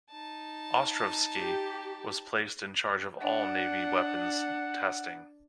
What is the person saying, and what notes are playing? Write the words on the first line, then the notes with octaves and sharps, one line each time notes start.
Ostrovsky was placed in charge of all Navy weapons testing.
D#4 A5
G4
D4 F#5